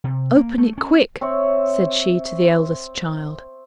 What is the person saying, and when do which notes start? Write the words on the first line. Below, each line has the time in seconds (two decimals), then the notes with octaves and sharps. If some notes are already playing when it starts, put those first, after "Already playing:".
Open it quick,' said she to the eldest child.
0.04 C3
0.36 A#3
0.58 A3
0.78 C#4
1.21 C4 C#5 E5